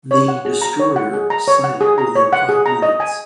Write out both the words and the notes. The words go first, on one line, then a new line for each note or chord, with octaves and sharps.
The destroyer sank within five minutes.
C#5
F#5
G#4
A#5
C#5
F#5
G#4
A#5
C#5
F#5
G#4
A#5
C#5
F#5
G#4
A#5
D#5
G#5